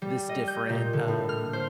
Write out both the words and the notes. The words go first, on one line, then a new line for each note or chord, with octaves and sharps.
this different, um,
G3
D#5
G6
A#2
D3
A2
F6
C5